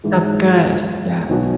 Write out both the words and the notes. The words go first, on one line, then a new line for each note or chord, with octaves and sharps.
That's good, yeah.
G#2 E3 G#3
B1 B2 F#3